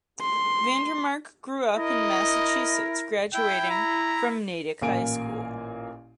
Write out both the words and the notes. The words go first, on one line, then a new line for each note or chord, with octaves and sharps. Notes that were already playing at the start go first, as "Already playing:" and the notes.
Vandermark grew up in Massachusetts, graduating from Natick High School.
C6
E4 A#4 D#5
E4 G5
A#5
A1 A#2 A#3 F5 G#5 D7